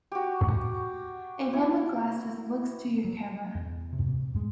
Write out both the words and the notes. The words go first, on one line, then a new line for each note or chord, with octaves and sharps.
A man with glasses looks to your camera.
F#4 G4
E4
F#3
E2
C3
G#3